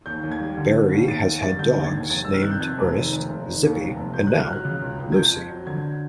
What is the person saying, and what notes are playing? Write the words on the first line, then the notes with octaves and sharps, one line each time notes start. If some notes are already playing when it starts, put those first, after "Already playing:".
Barry has had dogs named Earnest, Zippy, and now Lucy.
D#2 G6
D#2
G#6
G3
D3
D#2
D#2
D#2 A6
D#2
G3 A6
D3 G6
D#2 A6
G#6
D#2
F1 A6
D#3 E6
F6
C3 F#6
G6
F2 G#6
F1
D#3
F1
F1
D#3
D#2
F1
F1
C#2 G6
C#2 F#6
F6
F#3
F#6
C#3
C#2
C#2
G#6
F2 G6
F2
F#3
D3 G#6